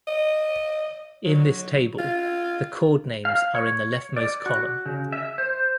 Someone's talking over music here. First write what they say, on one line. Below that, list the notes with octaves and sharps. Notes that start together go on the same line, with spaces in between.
In this table, the chord names are in the leftmost column.
D#5
F#3
F4
F5
C#5
D5
F#4
C#3
E5
C5